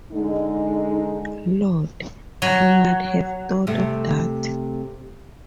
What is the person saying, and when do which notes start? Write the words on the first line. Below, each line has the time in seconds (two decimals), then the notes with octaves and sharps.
Lord, I might have thought of that.
0.12 D3 G#3 D#4
2.42 F#3
3.67 C3 A3